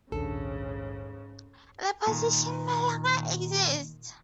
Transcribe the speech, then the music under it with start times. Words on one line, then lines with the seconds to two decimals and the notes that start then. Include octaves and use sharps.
The position no longer exists.
0.12 A#1 D#2 G#2 C#3 D4 A4
2.07 A#2 D#3